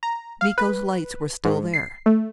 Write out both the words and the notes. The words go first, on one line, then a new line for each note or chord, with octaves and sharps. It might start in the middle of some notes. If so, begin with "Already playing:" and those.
Miko's lights were still there.
A#5
F5
B4
G#2
C7
A3